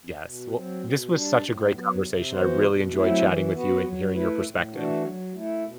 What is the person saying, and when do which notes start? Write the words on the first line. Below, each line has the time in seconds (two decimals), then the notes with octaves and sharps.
Yes, well, this was such a great conversation, I really enjoyed chatting with you and hearing your perspective.
0.21 B2
0.52 F#3 C4
0.82 B2
1.11 G3 D4
1.41 A2
1.72 F#3 B3
2.01 C3
2.32 E3 B3 F#4 C5
2.62 B2
2.92 F#3 A3 C4 E4
3.22 E3
3.53 B3 F#4 B4
3.82 F#3
4.12 A3 E4 B4
4.43 A2
4.72 E3 A3 D4 F#4
5.02 F#3
5.33 A3 E4
5.63 B2